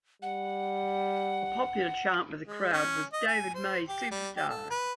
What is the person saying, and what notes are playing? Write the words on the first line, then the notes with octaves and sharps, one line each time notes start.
A popular chant with the crowd was ""David May, superstar!
G3 F#5
G#3
C#4
D#5
G#5
C5
G4
G3
G4
A4
B4